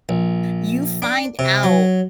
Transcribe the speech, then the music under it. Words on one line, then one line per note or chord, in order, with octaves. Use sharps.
you find out
A#1
D4
C3
F#3